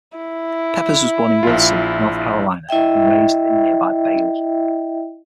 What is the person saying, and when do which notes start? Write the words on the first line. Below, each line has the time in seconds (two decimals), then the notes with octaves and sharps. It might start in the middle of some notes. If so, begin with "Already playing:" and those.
Peppers was born in Wilson, North Carolina, and raised in nearby Bailey.
0.17 E4
1.43 A#1 F4
2.69 E4 D#5 E5 G5